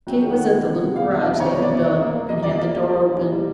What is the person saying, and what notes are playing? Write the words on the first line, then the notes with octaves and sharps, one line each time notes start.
Kate was at the little garage they had built, and had the door open.
F#3 G5
D#3 G5
F#5
D#3
B3
C3
C3
B3 F5
D#3 E5
D#5
C3 D5
D#3 C#5
B3
D5
C3
A#3 D5
A#3
A#3
G3 D#5
G3 D5
A#3 D#5
A#3
G3
E3
E3
G3